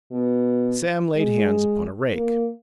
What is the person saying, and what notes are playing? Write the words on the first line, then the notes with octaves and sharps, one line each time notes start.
Sam laid hands upon a rake.
B2
G#3
A#3